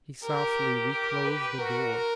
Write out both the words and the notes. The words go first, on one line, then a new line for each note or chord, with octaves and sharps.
He softly reclosed the door.
G4 A#4
A#4
B4
F#4 A#4